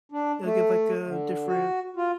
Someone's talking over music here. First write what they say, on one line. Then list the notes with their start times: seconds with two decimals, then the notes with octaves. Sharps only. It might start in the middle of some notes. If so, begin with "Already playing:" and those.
it'll give, like, a different,
0.12 D4
0.44 A3
1.06 D3
1.47 F#4
1.96 F4